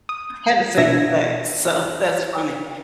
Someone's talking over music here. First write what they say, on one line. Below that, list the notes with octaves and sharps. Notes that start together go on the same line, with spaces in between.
had the same effect. So, that's funny.
D#6
B2 D4 E5 G#6 A#6